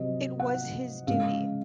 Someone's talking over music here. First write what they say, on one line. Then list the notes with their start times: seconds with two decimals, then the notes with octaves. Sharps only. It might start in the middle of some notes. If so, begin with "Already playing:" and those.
It was his duty.
Already playing: C3 F#3 D#5
0.40 F#5
1.07 C#3 G#3 F5